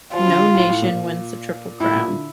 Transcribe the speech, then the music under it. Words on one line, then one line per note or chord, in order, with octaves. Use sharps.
No nation wins the Triple Crown.
F3 F4
D3
A2
A2
A#2
A2 E4
A#2
D3